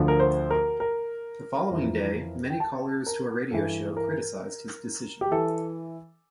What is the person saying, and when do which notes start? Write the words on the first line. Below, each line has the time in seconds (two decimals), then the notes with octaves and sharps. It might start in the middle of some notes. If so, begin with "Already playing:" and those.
The following day, many callers to a radio show criticised his decision.
Already playing: D2 D3 F3
0.08 A#4
0.20 C5
0.51 A#4
0.80 A#4
1.70 F2 E3
2.50 G5
2.60 A5
3.06 A#4
3.51 G2 E3 A4
3.97 A#4
5.21 G4
5.31 E3 A4